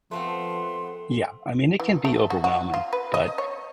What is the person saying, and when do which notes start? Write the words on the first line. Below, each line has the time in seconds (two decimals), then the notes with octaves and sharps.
Yeah. I mean, it can be overwhelming, but
0.11 F3 A3 B3 C4 B4 C6
1.80 E3
2.05 A3
2.30 F#4
2.44 F#4
2.74 F4
2.93 B4
3.14 D#5
3.38 C#5